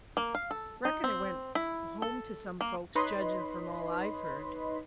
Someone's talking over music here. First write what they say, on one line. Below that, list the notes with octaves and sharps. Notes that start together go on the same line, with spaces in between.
Reckon it went home to some folks, judgin' from all I've heard.
A#3
F5
A4
D#4
C4
E4
A4
A#3
D#4 B4 C#5 D#5 B5 C6